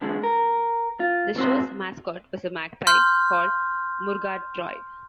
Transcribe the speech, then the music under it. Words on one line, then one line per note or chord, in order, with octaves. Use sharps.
The show's mascot was a magpie called Murgatroyd.
E2 D3 G#3
A#4
F4
C#2 C4 F#4 C6
C6 F6 G6